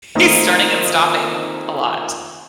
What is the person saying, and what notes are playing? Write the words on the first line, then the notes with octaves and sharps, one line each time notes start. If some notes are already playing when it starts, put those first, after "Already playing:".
he's starting and stopping a lot.
D#3 A3 A#3 C4 D#4 F4